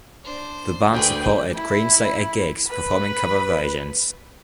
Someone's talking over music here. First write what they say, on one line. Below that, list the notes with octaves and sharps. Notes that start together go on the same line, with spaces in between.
The band supported Greenslade at gigs, performing cover versions.
D4 C5
D2 G#4 A4 B4 D5 G5
E4
B4 B5